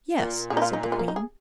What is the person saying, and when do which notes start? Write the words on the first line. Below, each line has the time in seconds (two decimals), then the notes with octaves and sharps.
"Yes," said the queen.
0.19 A#2
0.50 A#2 G#4
0.57 D#4
0.62 F4
0.73 D#4
0.84 A#3
0.92 G#3
0.99 A#3
1.08 D#4
1.16 G#4